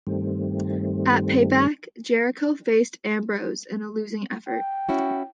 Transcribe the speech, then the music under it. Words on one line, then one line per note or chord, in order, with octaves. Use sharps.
At Payback, Jericho faced Ambrose in a losing effort.
G2 D#3 G3 A3 C4
G5
C#4 E4 F#4